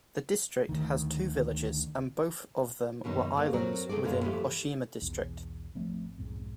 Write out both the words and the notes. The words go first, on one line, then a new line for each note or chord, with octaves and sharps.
The district has two villages and both of them were islands within Oshima District.
D2 D#3
F#2 B2 D#3 F#3 D#4
A3 A#3
F#3 C4 F#4 A#4
A3 C#4 G#4 A4 D5
F#2 A2 G#3 A#3 C#4 E4
E3 F3 A3 G4
B1 E2
G#1 F3 A3 C4
B1 F2 G#2